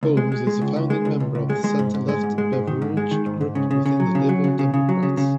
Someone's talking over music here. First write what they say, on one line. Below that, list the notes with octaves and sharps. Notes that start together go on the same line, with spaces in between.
Holmes is a founding member of the centre-left Beveridge Group within the Liberal Democrats.
C#2
G#3
G#3
G#3
C#2
C#2
G#3
C#2
C#2
C#2
G#3
G#3
G#2
G#2
G#3
G#2
G#3
G#2
D#3
G#2
G#3
D#3
G#2
G#2
C#3
C#3
C#3
F#3
C#3
F#3
C#3
C#3
C#3
F#3
C#3
C#3